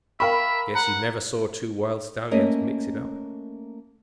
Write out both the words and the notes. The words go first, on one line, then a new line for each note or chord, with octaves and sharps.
"Guess you never saw two wild stallions mix it up."
A#4 E5 F5 G5 B5 C#6
F#5 A#5
A3 A#3 C#4 D#5